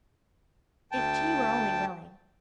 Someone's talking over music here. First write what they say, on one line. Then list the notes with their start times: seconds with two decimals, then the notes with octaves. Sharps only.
If T. were only willing!...
0.92 D2 G5 A5